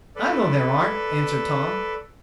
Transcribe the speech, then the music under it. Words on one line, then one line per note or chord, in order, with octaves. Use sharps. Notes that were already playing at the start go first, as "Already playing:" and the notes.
"I know there aren't," answered Tom.
A4 B4 D5